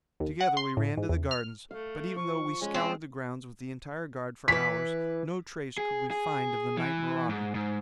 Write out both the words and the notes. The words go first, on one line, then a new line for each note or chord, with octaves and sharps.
Together we ran to the gardens, but even though we scoured the grounds with the entire guard for hours, no trace could we find of the night marauder.
D#2
F#5
C6
A2
G#2
E2
F6
A3 F5
F3 C#6
G#3 C#4
C4
E3 B4 B6
G#4
G#4
E3
G#2
G#2